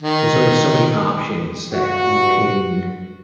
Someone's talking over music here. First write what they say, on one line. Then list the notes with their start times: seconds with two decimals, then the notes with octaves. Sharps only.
there's only so many options that you can,
0.02 D#3
1.73 G2 F#4